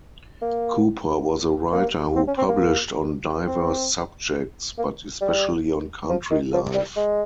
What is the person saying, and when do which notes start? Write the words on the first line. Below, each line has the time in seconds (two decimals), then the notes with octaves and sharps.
Cooper was a writer who published on diverse subjects, but especially on country life.
0.42 A#3
1.73 A#3
2.16 C4
2.28 C#4
2.38 C4
2.49 A#3
3.47 C4
4.78 A#3
5.21 G3
6.09 F3
6.31 D#3
6.53 F3
6.74 G3
6.96 G#3